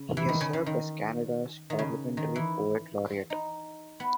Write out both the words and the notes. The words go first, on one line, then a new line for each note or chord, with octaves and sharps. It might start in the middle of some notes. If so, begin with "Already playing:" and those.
He has served as Canada's Parliamentary Poet Laureate.
Already playing: C#3
E3
D#3
C#3
C#3
D#3
D#3
C#3
D#3
E3
D#4
B3